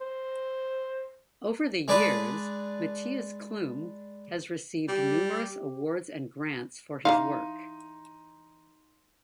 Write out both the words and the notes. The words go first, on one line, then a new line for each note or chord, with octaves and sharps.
Over the years, Mattias Klum has received numerous awards and grants for his work.
C5
G#3 D4 B4
G3 G4
E3 B3 D#4 F5 C6